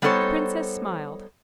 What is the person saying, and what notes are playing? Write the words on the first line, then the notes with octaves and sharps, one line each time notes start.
The princess smiled.
G3 B3 D#4 A4 C5 C#5